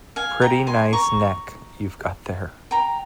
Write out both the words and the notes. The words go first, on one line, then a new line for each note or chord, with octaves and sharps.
Pretty nice neck you've got there.
F5 G#5
G5 A#5
G#5 C6
A#5 C#6
G5 A#5